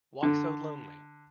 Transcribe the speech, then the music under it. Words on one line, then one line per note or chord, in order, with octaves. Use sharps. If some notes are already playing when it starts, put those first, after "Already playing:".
Why So Lonely?
D3